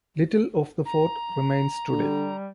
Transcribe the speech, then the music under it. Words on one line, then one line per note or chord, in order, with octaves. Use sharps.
Little of the fort remains today.
A#5
D3 G3